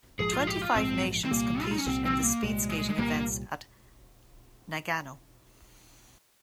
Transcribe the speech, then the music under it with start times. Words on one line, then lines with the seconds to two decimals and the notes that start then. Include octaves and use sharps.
Twenty-five nations competed in the speed skating events at Nagano.
0.19 A#1 G#2 F3 G#3 G#4
0.33 F4
0.47 G4
0.62 F4
0.75 A#1 G#2 F3 G#3 C4
1.25 C4
1.31 C2 A#2 G3 A#3
1.62 F4
1.71 D#4
1.78 C#4
1.86 C2 A#2 G3 C4
2.05 C4
2.23 A#3
2.43 C2 A#2 G3 G#3
2.70 G#3
2.90 G#3
2.98 C2 A#2 G3 A#3